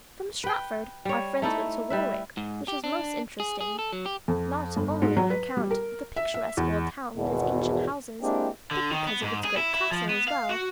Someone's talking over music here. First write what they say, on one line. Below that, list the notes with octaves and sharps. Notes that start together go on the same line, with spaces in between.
From Stratford, our friends went to Warwick, which is most interesting, not only on account of the picturesque old town with its ancient houses, but because of its great castle as well.
B4 G5
G3 C#5
A3 D#4 E4 A4
G3 B4 E5
G#2
G4
D4
G#4
G#4
A4
F#3
G4
F2
G1
G#2
F#3
B4
G3
A#4
E5
E5
E2
G#1 E2 B2
G#3 A#3 C4 D4 E4 G4
D3
D#3
B3
G#2
G#4
E4
E4
F3
B3
F5
F#4